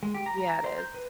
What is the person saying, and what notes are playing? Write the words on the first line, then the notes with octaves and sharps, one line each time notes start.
Yeah, it is.
G#3
G4
A#5
A#5
C5
G6
B4